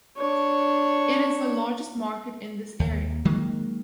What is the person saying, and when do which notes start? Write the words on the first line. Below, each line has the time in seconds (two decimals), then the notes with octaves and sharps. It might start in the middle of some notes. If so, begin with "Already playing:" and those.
It is the largest market in this area.
0.17 D4 C#5
2.80 D#2
3.25 D#3 F#3 G#3 A#3